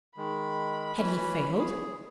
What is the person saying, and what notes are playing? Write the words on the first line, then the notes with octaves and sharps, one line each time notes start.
Had he failed?
D#3 G#3 B5
E3 C#4
G#4